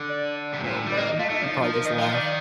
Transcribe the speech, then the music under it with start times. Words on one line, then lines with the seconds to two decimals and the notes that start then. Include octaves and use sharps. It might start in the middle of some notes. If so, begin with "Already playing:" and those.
Oh, man. He'd probably just laugh.
Already playing: D3
0.09 D5
0.53 C3
0.64 A#2
0.74 A2
0.86 G3
0.91 D5
0.97 A#3 D#5
1.08 D#5
1.18 A3 F4
1.30 A3 D#4
1.40 F3 D4
1.51 D#4
1.62 F3 D#4
1.73 A#4
1.85 D#3 D#5
1.98 F3 F5
2.12 D#3 D5